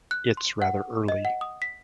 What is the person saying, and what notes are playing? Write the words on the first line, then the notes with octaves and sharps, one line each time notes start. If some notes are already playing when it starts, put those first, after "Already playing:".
It’s rather early.
F#6
C6
F#5
D#5
F#5
D#6
B6